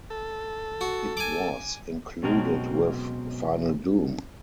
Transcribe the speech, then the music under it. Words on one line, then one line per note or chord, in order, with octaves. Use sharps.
It was included with "Final Doom".
A4
F#4
G#5 D6
B2 F#3 G#3 C4 C#4 A#4